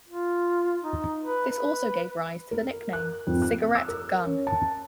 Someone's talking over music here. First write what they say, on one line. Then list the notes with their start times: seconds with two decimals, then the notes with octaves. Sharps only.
This also gave rise to the nickname, "cigarette gun".
0.08 F4
0.82 D#4
1.23 B4
1.49 B4
2.51 A#4
2.93 F#6
3.27 F2
3.42 F#6
3.75 E6
3.88 A#4
4.25 C#4
4.47 A5